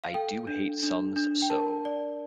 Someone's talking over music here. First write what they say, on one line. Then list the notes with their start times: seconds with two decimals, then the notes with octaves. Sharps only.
I do hate sums so!
0.04 F5
0.14 A4 G5
0.47 D4
0.83 D4
1.16 D4
1.42 G5
1.50 A#4 A5
1.85 D5